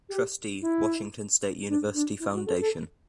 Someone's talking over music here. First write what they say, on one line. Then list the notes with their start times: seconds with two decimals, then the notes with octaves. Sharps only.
Trustee, Washington State University Foundation.
0.09 G4
0.62 E4
1.68 D4
1.94 D4
2.20 E4
2.34 F#4
2.46 A4
2.61 A4